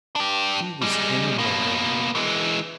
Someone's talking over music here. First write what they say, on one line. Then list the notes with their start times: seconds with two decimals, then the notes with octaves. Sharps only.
She was immemorial....
0.16 D4 G4
0.82 G3 G#3
1.38 B2 A#3
2.15 E3 G#3